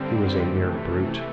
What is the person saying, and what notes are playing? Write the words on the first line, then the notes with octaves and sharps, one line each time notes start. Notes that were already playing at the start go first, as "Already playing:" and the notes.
He was a mere brute.
Already playing: G2 D3 G3 C4
C3 E3 A3